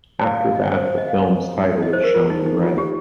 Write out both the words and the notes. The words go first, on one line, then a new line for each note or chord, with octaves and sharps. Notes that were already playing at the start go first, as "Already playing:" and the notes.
After that, the film's title is shown in red.
F5
F5
D#5
C5
C5
D#5
F5
D#5
C5
A#4
F4
D#4
D#4
F4
G4